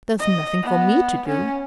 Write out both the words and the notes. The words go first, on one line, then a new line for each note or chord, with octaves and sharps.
There's nothing for me to do.
D#5
B3
C#4